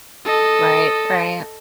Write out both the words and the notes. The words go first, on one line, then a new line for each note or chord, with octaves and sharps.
Right, right.
A4 D#5